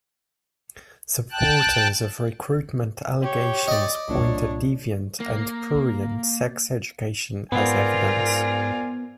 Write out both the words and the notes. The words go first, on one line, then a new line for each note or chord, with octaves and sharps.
Supporters of recruitment allegations point at "deviant" and "prurient" sex education as evidence.
G5 A5 F#6
G4 C#5
D5 D#5
C2 A#2 D4 C#5
A#3
G#2 B3 C4 F4 A#4 D5 G#5